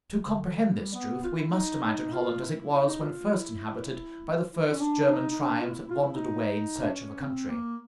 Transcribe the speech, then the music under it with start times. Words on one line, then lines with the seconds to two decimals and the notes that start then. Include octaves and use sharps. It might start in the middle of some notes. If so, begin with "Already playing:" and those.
To comprehend this truth, we must imagine Holland as it was when first inhabited by the first German tribes that wandered away in search of a country.
0.26 C#3
0.34 D3
0.64 G3
0.94 B3
1.24 F4
1.38 E4
1.53 D#4
1.83 D#4
2.13 F4
2.43 E4
2.72 E4
2.87 D#4
3.02 F4
3.33 E4
4.51 E4
4.71 C#4
4.80 D4
5.06 D4
5.11 D#4
5.31 D#4
5.40 D4
5.61 F4
5.71 E4
5.91 F4
6.00 E4
6.15 D#4
6.83 D4
6.90 C#4
7.20 C4
7.49 A#3